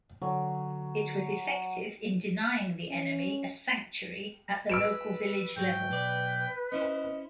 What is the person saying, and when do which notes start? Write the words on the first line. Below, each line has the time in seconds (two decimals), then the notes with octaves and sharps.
It was effective in denying the enemy a sanctuary at the local village level.
0.22 D3 F#3 D6
2.89 C#4
4.70 B4 E6 D7 E7
5.56 G#2 F#3 G5
5.91 B1 B4 D5
6.72 C#4 E4 C5 D#5